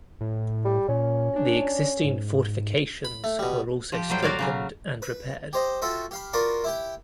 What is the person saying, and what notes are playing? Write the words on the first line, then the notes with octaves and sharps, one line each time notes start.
The existing fortifications were also strengthened and repaired.
A2
G3
A#2 C#4
D4
G#2
B5
A3
B2 G3
F3 G4
A2 F#3 G3 C5 G5
F#4 A#4 D5 F5
C#3 F#3 C#4
B4
G4 C5 D#5
F4 F#4 A4 E5 G5
G4 F5 B5
F4 F#4 A#4 B4 D5 C6
E4 G4 G5